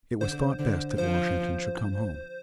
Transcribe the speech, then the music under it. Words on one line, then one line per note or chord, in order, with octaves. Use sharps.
It was thought best that Washington should come home.
D3 C5
D3
F3 C5